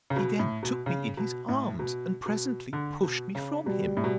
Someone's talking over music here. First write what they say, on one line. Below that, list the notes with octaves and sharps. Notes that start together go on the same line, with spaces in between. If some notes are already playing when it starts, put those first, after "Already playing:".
He then took me in his arms, and presently pushed me from him.
C#3
B2
A2
B2
C#3
B2
A2
B2
B2
D3
B2
C#3
B2 G3
A2
B2